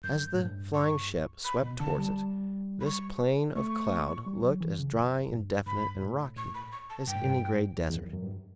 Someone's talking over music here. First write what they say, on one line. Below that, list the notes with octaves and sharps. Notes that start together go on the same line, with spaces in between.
As the flying ship swept towards it, this plain of cloud looked as dry and definite and rocky as any grey desert.
F#2 G6
A2
G2
C#6
B5
B2
D3 A5
G3
B5
C#6
A3 C#6
G3
F#3
E3
C#3
F#2
G2
G2 B5
G2
A2
A2 C#6
B5
C#6
A5
G2 G5
A2
G2
E2
E2
F#2
F#2
G2